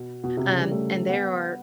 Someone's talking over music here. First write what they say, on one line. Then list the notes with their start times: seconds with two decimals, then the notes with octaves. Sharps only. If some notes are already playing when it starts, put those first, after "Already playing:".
um, and there are
Already playing: B2
0.24 B2
0.37 C3
0.52 C#3
0.61 G3
0.71 A3
1.09 B3